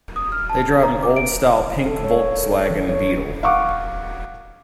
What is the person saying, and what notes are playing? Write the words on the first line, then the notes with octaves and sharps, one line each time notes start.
They drive an old style pink Volkswagen Beetle.
D#6
F6
A5
A#5
D6
D7
A4
C#5
A4
E3
C#5
F5 F#5 C#6 D6